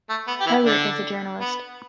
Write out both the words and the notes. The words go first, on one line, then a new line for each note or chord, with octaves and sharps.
I work as a journalist.
A3
B3
G4
E3 E4
D3 D4
B3